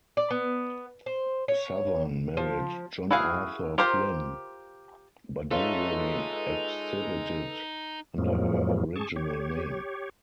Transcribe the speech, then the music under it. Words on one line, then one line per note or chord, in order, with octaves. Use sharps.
Southern married John Arthur Flinn but usually exhibited under her original name.
D5
B3
C5
C#5
F3
E4 F#4 G#4 F5
F4 G4 A#4 C5
G#3 D#4 F4 A4 B4 C#5 E5
F2 A2 F3 F#3 G#3 A#3
G#4 A5 C#6
G4 C#5